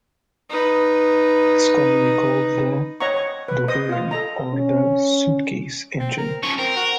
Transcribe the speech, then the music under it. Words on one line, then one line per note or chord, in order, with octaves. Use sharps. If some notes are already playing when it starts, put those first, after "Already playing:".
It is commonly called the "Douvrin" or the "Suitcase" engine.
D#4 B4
C#5 D#5 F#5 A#5 C#6
C#5 C#6
B4
C5 D#5 D#6
F4 F5
A4 D#5 A#5
C#4
C4
A#4
C#3 F3 C#6
C4 A#4
F#4